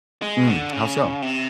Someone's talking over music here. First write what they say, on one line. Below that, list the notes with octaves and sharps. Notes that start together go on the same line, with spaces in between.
Hmm, how so?
G#3
D3
C#3
C3